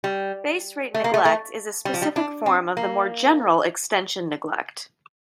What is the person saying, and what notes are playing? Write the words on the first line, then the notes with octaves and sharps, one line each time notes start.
Base rate neglect is a specific form of the more general extension neglect.
G3
A3
A#3
A3
A3
G3
F3
G3
D4
C4
A#3